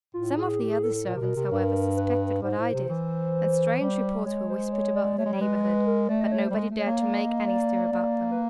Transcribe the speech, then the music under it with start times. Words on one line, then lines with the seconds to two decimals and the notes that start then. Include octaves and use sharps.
Some of the other servants, however, suspected what I did, and strange reports were whispered about the neighbourhood, but nobody dared to make any stir about them.
0.14 A2 F4
0.38 G#4
0.60 G4
0.71 G#4
0.83 A4
0.95 A4
1.05 A#2 A#4
1.16 C3
1.21 B2
1.36 C3
1.51 G2
1.97 B4
2.43 G#2 C5
2.58 A2
2.73 C3
2.89 E3
3.80 G3
4.26 G#3 C#5
4.49 C5
4.73 C#5
4.95 D5
5.18 A3 C#5
5.25 G#3
5.33 G3
5.41 G#3 B4
5.63 B4
5.87 A#4
6.09 A3 D5
6.21 D#5
6.32 C#5
6.44 C5
6.50 G3
6.56 G#3
6.70 A3
6.78 C#5
6.86 A#3
7.01 D5
7.24 D#5
7.47 D5
7.92 A#3
8.32 B4